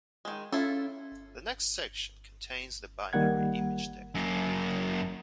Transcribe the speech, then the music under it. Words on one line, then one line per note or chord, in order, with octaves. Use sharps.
The next section contains the binary image data.
D#3 G#3
C#4 E4 F4 A4
D#3 G3 A#3 F#5 G#6
F#2 A#3